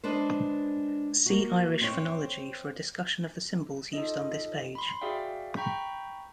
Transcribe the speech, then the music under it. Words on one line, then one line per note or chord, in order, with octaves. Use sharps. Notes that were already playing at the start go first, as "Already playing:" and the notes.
See Irish phonology for a discussion of the symbols used on this page.
G#3 D4 B4 C5
A#3 F#4
C4 C#5
D#4 F4 A4 D#5
B5 C6
F#4 G#4 D5 E5 F5 G5
G5 A#5 B5 C#6 G6 B6